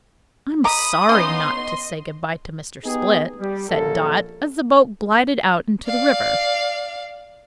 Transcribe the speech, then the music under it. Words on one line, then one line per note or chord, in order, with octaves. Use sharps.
"I'm sorry not to say good-bye to Mr. Split," said Dot, as the boat glided out into the river.
D#5 A#5 B5 D#6
C#3 B3 C#4 D#4 E4 C6
D#5
B3 D#4 G4 G#4
G3
A#1 F#2 A#3 A4
D5 F5